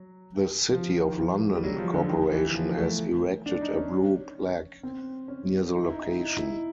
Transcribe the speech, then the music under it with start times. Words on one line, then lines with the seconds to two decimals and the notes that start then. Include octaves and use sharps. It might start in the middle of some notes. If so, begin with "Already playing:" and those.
The City of London Corporation has erected a Blue Plaque near the location.
Already playing: F#3
0.72 F3
1.03 D#3
1.18 F3
1.47 G#3
1.56 G3
1.64 F#3
1.78 F3
1.94 D3
2.09 D#3
2.32 E3
2.54 F3
2.77 A3
3.46 D4
3.61 D#4
3.77 C#4
4.83 C4
5.28 C#4
5.74 D#4
5.83 E4
5.92 D#4
6.01 E4
6.10 D#4
6.19 E4
6.28 D#4
6.37 E4
6.46 D#4